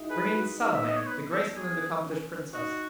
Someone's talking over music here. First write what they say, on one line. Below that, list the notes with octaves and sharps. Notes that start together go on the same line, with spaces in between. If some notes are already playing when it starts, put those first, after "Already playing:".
Bring in Salome, the graceful and accomplished princess.
Already playing: D#4 E4 F#4 G#4
G#4 B4
F#4
D#4
E5
B3 D#5
C#5
B4
A4
G#4
C#4
D#4 F#4